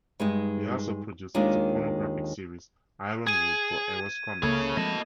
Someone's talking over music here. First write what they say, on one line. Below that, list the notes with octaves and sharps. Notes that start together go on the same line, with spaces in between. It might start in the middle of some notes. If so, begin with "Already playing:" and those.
He also produced the pornographic series "Ironwood" for Eros Comix.
G2 G#3 D#4
D#2 D#3 G#3 D4 F4
G#4 G#6 D#7
C#2 C#3 A#3 E4 G#4 A4 C#5
F3 G#3 C4 D#5 A5